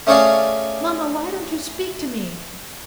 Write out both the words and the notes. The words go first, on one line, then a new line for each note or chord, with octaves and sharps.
Mamma, why don't you speak to me?
A3 C#4 G#4 C#5 D5 F5